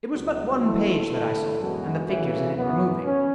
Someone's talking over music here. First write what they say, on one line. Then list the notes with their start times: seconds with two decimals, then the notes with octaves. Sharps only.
It was but one page that I saw, and the figures in it were moving.
0.13 C#2 B2 F#3 B3 F#4
0.61 E3 B3 E4 A4
1.10 D3 A3 E4 A4
1.59 F#2 E3 G#3 B3 F#4
2.07 D2 C#3 E3
2.55 F#2 E3 B3
3.04 C#4